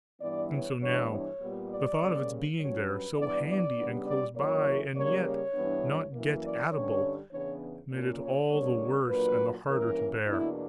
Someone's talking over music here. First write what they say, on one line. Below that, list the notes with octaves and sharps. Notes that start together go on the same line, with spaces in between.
And so now, the thought of its being there, so handy and close by, and yet not get-at-able, made it all the worse and the harder to bear.
G2 E3 B3 D5
C#5
G2 E3 B3 D4 C#5
C#5
A#2 G3 B3
D5
C#3 G3 A#3
G2 F#3 C#4 C#5
B4
G2 E3 B3 D4 D5
D5
C#3 G3 B3 D4
D5
F#2 E3 A#3 C#5
C#3 G3 A#3 C#5
C#5
G2 E3 B3 D4
F#2 E3 A#3
D5
G2 D3 G3 C#4 C#5
E2 C#3 E3 B3 D4 C#5
A#2 A#3 C#4
C#5
C#3 G3 A#3 D4 C#5
A#2 F#3 A#3 D4 B4
G2 E3 A#3 C#4 A#4
E2 B2 A#3 D4 E4